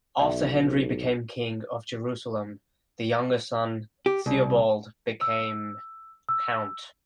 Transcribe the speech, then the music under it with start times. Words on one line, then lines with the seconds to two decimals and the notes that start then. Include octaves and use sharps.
After Henry became king of Jerusalem, the younger son Theobald became count.
0.19 B1 D5 E5
4.06 G4
4.26 C2
5.21 E6
6.29 E6